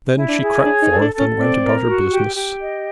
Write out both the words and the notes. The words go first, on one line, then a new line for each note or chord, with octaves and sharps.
Then she crept forth, and went about her business.
E4
D4
G#4
D4 C#5
D#4
A4
D4
A4
C#4
C4 D5
A#4
F#4
G4
G4
D#5